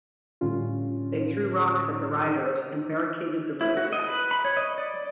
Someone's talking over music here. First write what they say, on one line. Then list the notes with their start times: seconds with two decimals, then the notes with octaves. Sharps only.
They threw rocks at the riders, and barricaded the road.
0.41 A2 D3 G3 C#4 F4
3.61 E4
3.77 F#4
3.93 D#5
4.07 B4
4.31 B5
4.45 C#5
4.57 D#5
4.78 D5